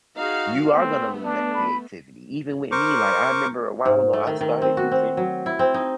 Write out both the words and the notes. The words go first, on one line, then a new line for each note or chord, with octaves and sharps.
you are gonna lose that creativity. Even with me, like, I remember a while ago, I started using
D#4 F#4 G#4 F5
A3 B3 C4
D4
B5
A#4 C5 C#6 D6
G#2
A3
D#3
D#3
C4
F#4
C4
F#3
E4
C4
D#4